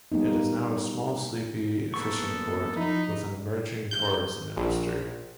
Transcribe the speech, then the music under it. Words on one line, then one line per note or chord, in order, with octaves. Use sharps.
It is now a small sleepy fishing port with an emerging tourism industry.
G3 A#3 B3 D#4
A#3 B3 A4 C#6
F3 D#4 E4 B5
G6
A#1